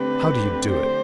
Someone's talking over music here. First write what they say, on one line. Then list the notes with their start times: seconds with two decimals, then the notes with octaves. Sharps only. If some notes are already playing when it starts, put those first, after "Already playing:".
How do you do it?
Already playing: D3 A3 C4 G4 B4
0.70 C5